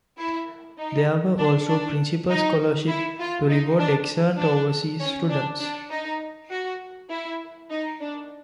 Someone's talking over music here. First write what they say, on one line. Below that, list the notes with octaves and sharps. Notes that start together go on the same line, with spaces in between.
There were also "Principal Scholarship" to reward excellent overseas students.
E4
D#4
D4
D4
D#4
E4
F4
D#4
D4
D4
C#4
D4
D4
D#4
F#4
E4
D#4
D4